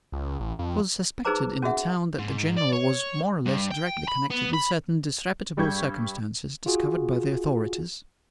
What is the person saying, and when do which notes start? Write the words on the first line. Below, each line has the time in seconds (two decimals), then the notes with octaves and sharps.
It was suspected in the town that the General was more or less directly connected with certain disreputable circumstances discovered by the authorities.
0.12 C#2
0.40 A1
0.59 F2
1.25 D#4 G#4 B4 C5 A#5 D6
1.62 C#4 F#4 G#4 E5 F#5
2.19 G#2
2.57 D5
2.72 C#5
3.45 G2
3.71 G5
4.08 B5
4.30 B3
4.54 B5
5.57 G2 G3 C#6 G6 G#6
6.66 F4 F#4 G#4